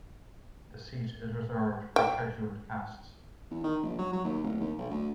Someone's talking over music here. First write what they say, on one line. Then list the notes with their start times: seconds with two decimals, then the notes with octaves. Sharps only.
The seat is reserved for scheduled castes.
1.96 G5
3.51 E2
3.64 D#3
3.83 A#1
3.99 F#3
4.13 F#3
4.25 D#2
4.43 D1
4.60 D#2
4.78 B1
4.90 D2